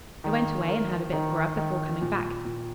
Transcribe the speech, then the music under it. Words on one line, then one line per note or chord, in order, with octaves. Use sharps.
I went away and had a bit of grub before coming back.
D#3
A#4
D#3
D#3
A#2
A#2